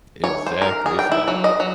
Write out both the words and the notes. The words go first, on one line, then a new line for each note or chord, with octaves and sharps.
Exactly, it's like,
C#5
C5
A#4
G#4
G5
E4
F#3
D#5
F#3